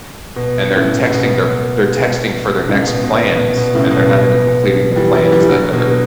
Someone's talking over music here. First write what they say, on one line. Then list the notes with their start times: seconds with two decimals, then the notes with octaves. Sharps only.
and they're texting their they're texting for their next plans, and they're not even completing the plans that they're
0.36 B2
0.76 A2 C#3
0.94 A2
1.11 B2
2.64 B2
2.69 A2 C#3
2.87 B2
3.04 B2
3.21 B2
3.39 B2
3.57 B2
3.75 A2 C#3
3.91 B2
4.09 B2
4.96 E3 G3
5.14 E3 G3
5.32 E3 G3
5.42 E3
5.49 D3 F#3
5.73 B2